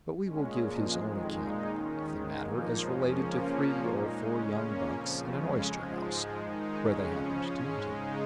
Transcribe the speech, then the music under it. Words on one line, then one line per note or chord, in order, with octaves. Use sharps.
But we will give his own account of the matter, as related to three or four young bucks in an oyster-house, where they happened to meet him.
A#2 G#3 C#4
A#2 F3 G#3
F2 D#3 G#3
A#2 G#3 D#4
D#3 C#4
G#2 D#3 G#3
A#2 F3 A#3 D#4
F2 F3 G#3 C#4
C#3 F3 A#3 C#4
A#2 F3 A#3 C#4
A#2 G#3 D#4
C#3 G#3 C#4
A#2 A#3 C#4
F2 C#3 F3
F2 C#3 G#3 C#4
G#2 F3 G#3
G#2 F3 G#3
D#3 G#3 D#4
F2 C#3 G#3 C#4
C#3 F3 C#4
G#2 G#3 C#4
C#3 G#3 D#4